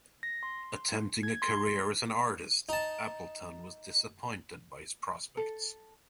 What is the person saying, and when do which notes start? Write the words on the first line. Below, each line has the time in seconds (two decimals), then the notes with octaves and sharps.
Attempting a career as an artist, Appleton was disappointed by his prospects.
0.23 A#6
0.43 C6
1.23 G#6
1.42 C6
2.69 D#4 A5
5.37 A4